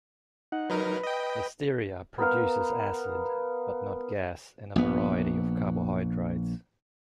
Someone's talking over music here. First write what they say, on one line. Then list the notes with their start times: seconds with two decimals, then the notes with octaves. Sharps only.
"Listeria" produces acid, but not gas, in a variety of carbohydrates.
0.52 D#4 F#5
0.70 F#3 D#4 A#4 B4
1.03 D#5 G5
2.18 B3 A#4 F5
4.76 A#1 B3